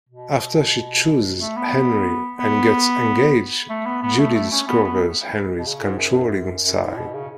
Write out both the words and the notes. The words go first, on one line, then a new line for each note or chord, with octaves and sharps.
After she chooses Henri and gets engaged, Judy discovers Henri's controlling side.
B2
A3
B3
B3
A3
B3
B3
A3
A3
C#4
B3
B3
B2
C#3
G#2
F#2
F#2
G#2
A2
B2
C#3